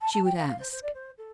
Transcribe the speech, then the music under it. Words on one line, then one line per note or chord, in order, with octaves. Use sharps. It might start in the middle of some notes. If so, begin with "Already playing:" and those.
She would ask.
A5
A5
G5
F5
F5
C5
C5
D5
C5
A4